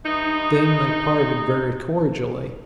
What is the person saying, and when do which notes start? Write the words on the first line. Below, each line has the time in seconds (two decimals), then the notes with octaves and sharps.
Then they parted very cordially.
0.04 G2 E3 D#4